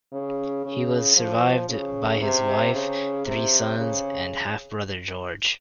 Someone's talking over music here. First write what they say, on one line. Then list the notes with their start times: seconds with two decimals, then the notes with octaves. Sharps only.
He was survived by his wife, three sons and half-brother George.
0.13 C#3
0.65 C#3
1.17 F3
1.69 C#3
2.21 C3
2.74 C#3
3.26 C3
3.78 C#3